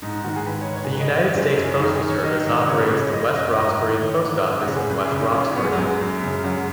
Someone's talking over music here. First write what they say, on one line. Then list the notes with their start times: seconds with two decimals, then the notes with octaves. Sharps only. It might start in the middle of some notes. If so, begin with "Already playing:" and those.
The United States Postal Service operates the West Roxbury Post Office in West Roxbury.
0.02 G#2 D#4
0.13 D#4
0.24 D#3 F#4
0.36 G#4
0.46 G#2 B4
0.61 C#5
0.69 D#3
0.76 C#5
0.84 G#4
0.90 F#2 B4
1.01 D#5
1.06 C#5
1.13 F#2
1.20 F#4
1.35 F#2 G#3
1.49 C#4
1.57 F#2
1.64 C#4
1.80 D#3 D#4
1.94 G#4
2.02 D#3
2.09 C#5
2.23 D#3 D#5
2.46 G#2
2.67 C#3 C#5
2.82 B4
2.90 C#3
2.97 C#5
3.12 F#2 D#5
3.35 F#2 D#5
3.57 G#2 D#5
3.79 D#3
4.01 D#3 C#5
4.24 G#2
4.46 F#2
4.62 C#3 F#4
4.76 G#4
4.89 F#2 B4
5.05 G#4
5.12 C#3
5.19 D#4
5.33 F#2 C#4
5.55 F#2 B3
5.65 G#3
5.73 F#3
5.79 F#2 G#3
6.01 F#2
6.23 C#3
6.44 F#2 F#3
6.56 G#3